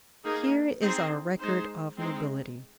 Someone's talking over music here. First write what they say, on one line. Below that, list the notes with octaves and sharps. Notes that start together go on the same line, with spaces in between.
Here is our record of nobility.
A#3 D#4 G#4
C4 D#4 G#4 C5
G#3 D#4 C5
G#3 C4 D#4